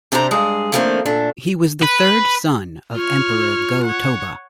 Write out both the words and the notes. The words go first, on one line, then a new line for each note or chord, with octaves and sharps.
He was the third son of Emperor Go-Toba.
C3 D4 G4 C5 A#5
G2 G#3 G#4
D#3 F3 A3 A#3 C4 D4
A#2 A3 D4
B4
F4 C#5 F6
C#5 F#5